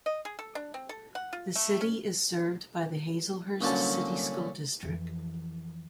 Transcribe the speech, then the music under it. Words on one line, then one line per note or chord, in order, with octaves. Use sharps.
The city is served by the Hazlehurst City School District.
D#5
G#4
A4
D4
C4
A4
F#5
F4
A3
C#4
C2 A#2 D3 F#3 C#4 A5
F2 E3